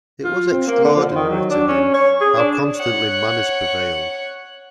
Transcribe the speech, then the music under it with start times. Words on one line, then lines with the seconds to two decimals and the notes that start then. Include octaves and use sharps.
It was extraordinary to him how constantly manners prevailed.
0.24 F4
0.52 C4
0.67 A#3
0.84 D3
0.97 F3
1.15 D#3
1.30 F#3
1.50 D4
1.68 C#4
1.94 C#5
2.21 G#4
2.38 D4
2.76 C#5 F#5